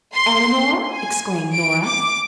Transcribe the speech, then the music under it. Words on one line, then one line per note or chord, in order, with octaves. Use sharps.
"Eleanor?" exclaimed Nora.
C6
G#5
D7
D6